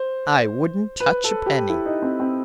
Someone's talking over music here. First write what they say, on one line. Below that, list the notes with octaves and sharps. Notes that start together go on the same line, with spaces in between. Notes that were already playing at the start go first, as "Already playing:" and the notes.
I wouldn't touch a penny.
Already playing: C5
B4
A4
G4
E4
D#4
C4
C4